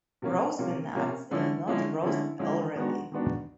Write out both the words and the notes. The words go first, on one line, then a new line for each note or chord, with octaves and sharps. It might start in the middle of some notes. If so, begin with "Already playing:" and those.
Roast the nuts if not roasted already.
C3 F3 A#3 C#4
C3 F3 A#3 C#4
C3 F3 A#3 C#4
D3 F3 G#3 C#4 E4
D3 F3 G#3 C#4 E4
D3 F3 G#3 C#4 E4
D3 F3 G#3 C#4 E4
D#3 G#3 B3 D4 F#4
D#3 G#3 B3 D4 F#4